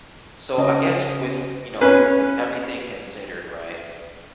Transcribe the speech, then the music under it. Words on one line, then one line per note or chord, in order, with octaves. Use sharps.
So, I guess with, you know, with everything considered, right?
C#3 C#4 D#5
C#4 B4